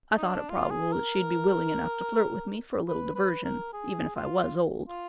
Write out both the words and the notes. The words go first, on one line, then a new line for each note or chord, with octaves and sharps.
I thought it probable that she'd be willing enough to flirt with me for a little diversion, even if I was old.
D#4
D4
F4
G#4
A#4
B4
B4
A#4
G#4
F4
F4